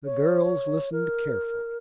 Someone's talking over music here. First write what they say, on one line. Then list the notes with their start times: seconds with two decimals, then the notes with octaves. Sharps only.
The girls listened carefully.
0.05 C#5
0.92 A#4